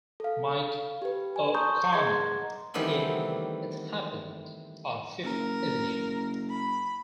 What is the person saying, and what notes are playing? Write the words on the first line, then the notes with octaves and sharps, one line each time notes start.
'Mike' O'Connor in "It Happened on Fifth Avenue".
A4 F5
G4 B4
G#5
A5 A#5 C6 C#6 D#6 G6
G#4 D#5 F#5 A#5 C6 G#6
D#3 E3 G3 A3 B3 C4
F#1 A#4
B5